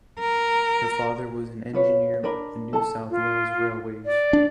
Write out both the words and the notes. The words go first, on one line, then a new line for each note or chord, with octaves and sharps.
Her father was an engineer with the New South Wales railways.
A#4
F4 B4 C#5
D4 A#4 D5 B5
A4 A5
F4
D5
D4